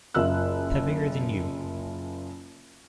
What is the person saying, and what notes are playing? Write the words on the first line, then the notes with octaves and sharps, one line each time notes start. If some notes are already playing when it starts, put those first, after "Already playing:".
Heavier than you.
F#1 F4 E5 E6 F#6